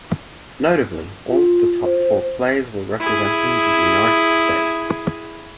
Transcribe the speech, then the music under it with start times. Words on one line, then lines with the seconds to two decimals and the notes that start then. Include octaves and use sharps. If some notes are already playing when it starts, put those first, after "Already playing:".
Notably, all the top four players were representing the United States.
1.29 F4
1.84 C5
3.00 E4 G#4